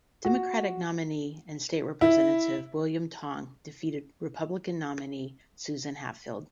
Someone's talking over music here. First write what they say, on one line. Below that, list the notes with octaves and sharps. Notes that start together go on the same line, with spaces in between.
Democratic nominee and state representative William Tong defeated Republican nominee Susan Hatfield.
F#4
E4